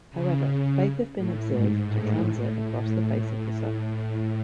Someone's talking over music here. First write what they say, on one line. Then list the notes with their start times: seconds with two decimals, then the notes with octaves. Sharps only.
However, both have been observed to transit across the face of the Sun.
0.13 C#3
1.17 A2
1.52 G#2
1.86 A2
2.56 A2